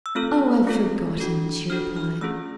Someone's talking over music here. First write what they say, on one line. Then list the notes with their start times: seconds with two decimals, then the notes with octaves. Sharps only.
"Oh, I've forgotten..." she replied.
0.06 E6
0.15 A3 C4 F4 A4 F6
0.67 A3 C4 F4 A4
1.18 D4 F#4 A4
1.70 D4 F#4 A4 F6
1.96 F6
2.21 A3 C#4 F4 G#4 E6